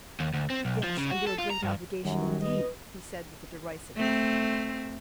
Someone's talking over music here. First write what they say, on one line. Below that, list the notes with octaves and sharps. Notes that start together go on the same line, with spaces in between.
"Yes, under a great obligation, indeed!" he said with a derisive laugh.
D#2
D2
C4
B1
F3
C#3
F#4
A4
F4
A#5
G2
F#2 D#3 F#3 G3
B4 D#5
A3 C4